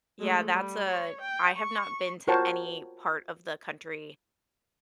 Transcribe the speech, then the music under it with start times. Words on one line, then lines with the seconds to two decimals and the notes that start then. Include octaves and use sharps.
Yeah, that's a I have not been to any part of the country
0.20 G#3 A3
0.52 G3
0.89 C#5
1.21 G5
1.56 C#6
2.28 F4 F#4 A#4 C5 C#5 A5